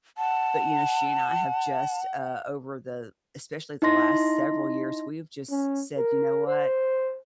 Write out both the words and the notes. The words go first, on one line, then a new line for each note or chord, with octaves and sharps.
But, you know, she and I have just, uh, over the especially the last several years, we've just s said, you know what?
F#5 A5
D#4 E4 D#5 C6 A#6
C#4
A#4
C5